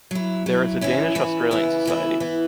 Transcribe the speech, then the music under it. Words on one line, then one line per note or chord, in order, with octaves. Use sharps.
There is a Danish-Australian Society.
F#3 E4
F#3 E4
E3 C#4 E4
E3 C#4 E4
C#3 E3 B3 E4
C#3 E3 B3 E4
E3 B3 E4